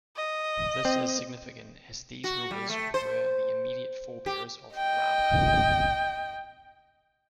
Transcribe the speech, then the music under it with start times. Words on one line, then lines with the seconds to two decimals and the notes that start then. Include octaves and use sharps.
This is significant as these rulers were the immediate forebears of Rama.
0.16 D#5
0.85 C4
2.24 F#4
2.51 G3
2.69 A3
2.94 C5
4.26 G4
4.75 D#5 G5